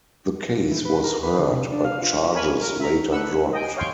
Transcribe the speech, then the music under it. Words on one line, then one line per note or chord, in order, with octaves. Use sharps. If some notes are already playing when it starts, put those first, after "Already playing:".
The case was heard but charges later dropped.
E3
B4
A#4
B4
D3
C3
D4
F5
F4
A#4 C#5 G#5 B5
A#4
E5 A#5
D4 B4 F#5 E6
D#5 G5 G#5
C#5 F5 G5 C6 C#6